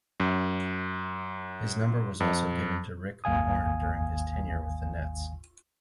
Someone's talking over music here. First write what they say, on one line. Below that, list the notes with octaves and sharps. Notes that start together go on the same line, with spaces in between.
His number was also given to Rick Mahorn during his tenure with the Nets.
F#2
F2
G#1 D#2 F5 G#5 D#6